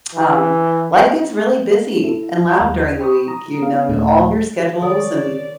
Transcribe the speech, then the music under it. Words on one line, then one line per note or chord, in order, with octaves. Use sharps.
Um, life gets really busy and loud during the week- you know, all of your schedules and
E3
E4 A4
D#2
G5 B5 C#6 D#6
A#5 D#6
B3 F5
D#2 A#2 A3 D#4
D#3 A4 C#5 D5